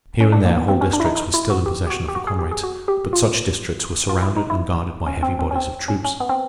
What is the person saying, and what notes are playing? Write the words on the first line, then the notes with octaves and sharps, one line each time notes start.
Here and there whole districts were still in possession of the comrades, but such districts were surrounded and guarded by heavy bodies of troops.
C#4
D4
A#3
B3
C4
C#4
D4
E4
D#4
D#4
E4
F#4
G4
G4
F#4
G4
F#4
G#4
G4
G#4
F#4
G4
F4
F4
E4
D#4
E4
C#4
C4
C4
C#4
C4
C#4
C#4
B3
C4